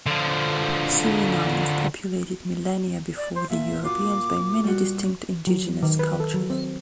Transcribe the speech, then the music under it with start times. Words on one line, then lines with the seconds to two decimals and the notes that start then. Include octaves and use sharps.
Suriname was populated millennia before the Europeans by many distinct indigenous cultures.
0.07 D3 F3
3.17 D5
3.35 C5
3.50 A#2 E5
3.84 F4 F#4 D6
4.64 G3 F#4
5.47 F#3
5.83 D#3
5.99 B4
6.20 A4
6.34 F#3
6.50 C4